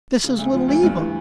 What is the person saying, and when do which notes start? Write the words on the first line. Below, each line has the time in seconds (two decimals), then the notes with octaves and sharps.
"This is Little Eva."
0.24 C#3
0.39 D2
0.53 F3
0.68 D2
0.83 G2
0.99 E3